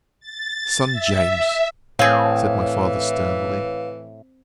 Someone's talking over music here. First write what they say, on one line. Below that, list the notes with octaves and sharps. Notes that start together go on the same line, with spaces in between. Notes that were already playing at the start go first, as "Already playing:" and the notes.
Son James! said my father sternly.
A6
E5
A2 E3 C4 G#4 C#5 F5